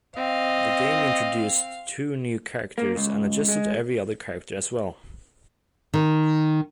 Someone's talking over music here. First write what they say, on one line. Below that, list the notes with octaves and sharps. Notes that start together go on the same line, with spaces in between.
The game introduced two new characters and adjusted every other character as well.
C4 D#5 F5
A#3
C#2
G#3
D#3